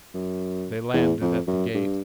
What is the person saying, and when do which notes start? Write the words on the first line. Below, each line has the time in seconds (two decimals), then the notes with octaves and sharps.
They landed at the gate.
0.14 F#2
0.94 E2
1.21 F2
1.47 F#2
1.74 G2